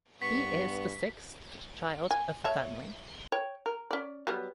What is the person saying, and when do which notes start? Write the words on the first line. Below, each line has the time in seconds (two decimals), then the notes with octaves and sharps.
He is the sixth child of the family.
0.22 G2 B3 C#6 B6
2.11 G#5
2.44 C#5 E5 A5
3.32 C#5 G5
3.66 A#4
3.91 C#4 D5
4.27 F#3 G3 B3